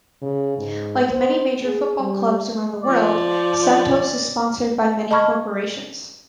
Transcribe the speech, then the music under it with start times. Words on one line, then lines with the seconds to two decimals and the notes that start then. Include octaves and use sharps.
Like many major football clubs around the world, Santos is sponsored by many corporations.
0.22 C#3
0.58 G#2
1.08 C5
1.64 G#4
2.00 G3
2.84 F3 D5
5.11 D#5 A5 B5 C#6 F6 G#6